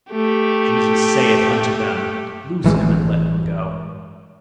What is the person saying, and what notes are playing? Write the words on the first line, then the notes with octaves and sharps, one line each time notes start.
Jesus saith unto them, Loose him and let him go.
A3 G4
A1 E3 G#3